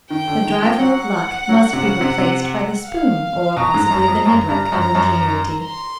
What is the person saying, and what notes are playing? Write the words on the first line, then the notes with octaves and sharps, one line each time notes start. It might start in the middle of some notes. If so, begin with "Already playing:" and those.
The driver of Luck must be replaced by the spoon--or, possibly, the niblick--of Ingenuity.
D#3 G5
D3
D#3
F3
F#3 F#5
F#3
C3
C#3
C3
C3
F5
B2 A#5
G#2
F#2
F2
F#2 A#5
G2
F#2
F#2
C6